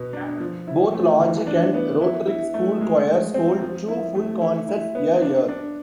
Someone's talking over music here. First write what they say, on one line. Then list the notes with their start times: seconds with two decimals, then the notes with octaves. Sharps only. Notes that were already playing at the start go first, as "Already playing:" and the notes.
Both Logic and Rhetoric school choirs hold two full concerts a year.
Already playing: B2 B3
0.13 D4
0.40 F3
0.67 E4
0.94 A3
1.20 E3
1.47 D4
1.74 B3
2.01 E4
2.27 E4
2.54 A3
2.81 G#3
3.08 G#3
3.34 C4
3.62 F3
3.88 E4
4.15 A3
4.41 E4
4.69 E4
4.95 B3
5.22 D4
5.49 D4